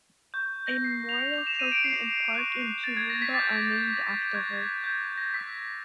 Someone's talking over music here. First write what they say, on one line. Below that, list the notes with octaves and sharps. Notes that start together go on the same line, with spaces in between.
A memorial trophy and park in Toowoomba are named after her.
C#6 F#6 G6
A#6
C7
F7
D6 G6 F7
E7
D#7
D7
C7
C#6 F#6
A6
G#6
A#6
B6
D6 G6 A6
C#6 F#6 G#6
G6
G#6
A#6
C#6 E6 G6 B6